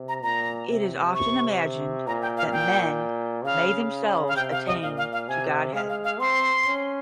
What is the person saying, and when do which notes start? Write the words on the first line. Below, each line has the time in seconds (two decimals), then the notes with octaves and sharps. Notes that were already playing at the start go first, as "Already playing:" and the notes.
It is often imagined that men may themselves attain to godhead.
Already playing: C3
0.09 A#5
0.23 A#2 A#5
0.69 C3
1.14 C#6
2.07 A#2 A#5
2.22 G5
2.37 F5
2.52 G5
3.44 C#3 F5
4.28 F5
4.36 C3 G5
4.51 F5
4.67 D#5
4.82 A#2 F5
4.97 F5
5.13 F5
5.28 C3 G#5
5.74 G#3 F5
5.89 F5
6.04 F5
6.19 C4 C6
6.66 C#4